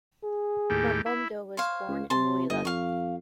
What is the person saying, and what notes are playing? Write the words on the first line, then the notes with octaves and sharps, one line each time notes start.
Mamboundou was born in Mouila.
G#4
D#2 A2 G4
E4
C5 C#5 F5
C#2
C3 A5 C6
G1 D#5
F2 F5 C#6